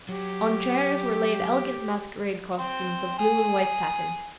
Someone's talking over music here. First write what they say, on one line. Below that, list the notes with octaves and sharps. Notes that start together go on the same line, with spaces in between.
On chairs were laid elegant masquerade costumes of blue and white satin.
F#3 G4
C4
G#4